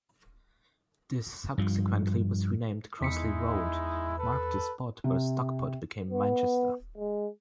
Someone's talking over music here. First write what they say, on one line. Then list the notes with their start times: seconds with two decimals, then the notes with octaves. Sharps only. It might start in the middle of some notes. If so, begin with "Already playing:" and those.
This subsequently was renamed Crossley Road, and marked the spot where Stockport became Manchester.
1.58 G2 F3
3.01 E2 G#3 D#4 E4 B6 C#7
4.19 A4 B4
5.04 C3
6.11 B3
6.97 G#3